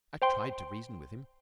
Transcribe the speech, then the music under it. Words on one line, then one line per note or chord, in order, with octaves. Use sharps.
I tried to reason with him.
C5 G5 C6